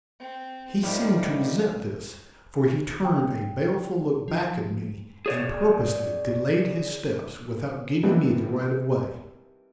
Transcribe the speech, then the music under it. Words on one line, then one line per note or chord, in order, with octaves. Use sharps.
He seemed to resent this, for he turned a baleful look back at me and purposely delayed his steps without giving me the right of way.
C4
A2 D#3 F3 G3
G5
F3
G#4 C#5 D5
D#3 E3 G3 B3 C4 D4